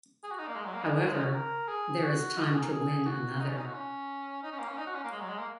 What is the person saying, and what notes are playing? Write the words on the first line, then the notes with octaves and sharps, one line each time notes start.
However, there is time to win another.
G#4
F#4
D#4
A#3
G#3
F#3
A#3
D#4
G#4
F#3
G#3
D#4
F#4
A#4
G#4
F#4
D#4
F#4
G#4
A#4
G#4
F#4
D#4
C#4
D#4
F#4
C#4
D#4
C#4
A#3
C#4
D#4
F#4
C#4
A#3
G#3
F#3
G#3
A#3